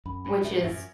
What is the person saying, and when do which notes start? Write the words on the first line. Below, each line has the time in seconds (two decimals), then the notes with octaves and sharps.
which is
0.05 F#2 B5
0.25 G#2 B5
0.44 A2 E5
0.64 F#2 E5